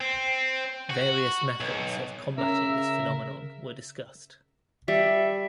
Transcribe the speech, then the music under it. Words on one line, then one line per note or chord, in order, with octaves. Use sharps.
Various methods of combatting this phenomenon were discussed.
C4
F#4
B1
C#3 A#4 E5
G3 E5